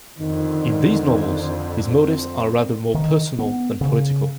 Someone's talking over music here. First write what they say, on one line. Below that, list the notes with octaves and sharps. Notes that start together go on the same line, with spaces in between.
In these novels, his motives are rather more personal than political.
F2 D3 D#3
C4
D#3
B3
C#3